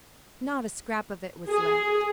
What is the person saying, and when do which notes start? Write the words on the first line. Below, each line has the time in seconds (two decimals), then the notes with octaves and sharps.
Not a scrap of it was left.
1.49 G#4